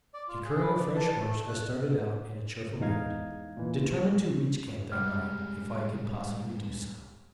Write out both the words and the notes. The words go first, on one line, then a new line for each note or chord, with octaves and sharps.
Procuring a fresh horse, I started out in a cheerful mood, determined to reach camp that night if I could possibly do so.
D5
F4
G#4
B4
D5
A5
A3
A3
F#6
E2 G#2 D#4 F5 G#6
A#2 E3
G2 C3 G3 G#3 F#5 F6